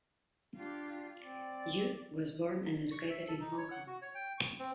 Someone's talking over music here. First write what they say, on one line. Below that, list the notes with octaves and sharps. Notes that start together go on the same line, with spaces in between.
Yiu was born and educated in Hong Kong.
D4 F4 G4
C4 D5
C#6
E5
A4
D#4
C#5
F#5
F#4
C#5
G5
C#6
C4